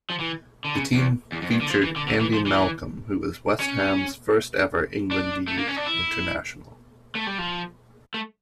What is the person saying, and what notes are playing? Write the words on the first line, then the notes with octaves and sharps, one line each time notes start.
The team featured Andy Malcolm who was West Ham's first ever England Youth International.
F3
E3
D3
C#3
E2
E2
F2
G2
D3
F3
E3
D3
D3
E3
F3
E3
C#4
D4
A3
A#3
C#4
D4
E4
A3
G3
F3
A3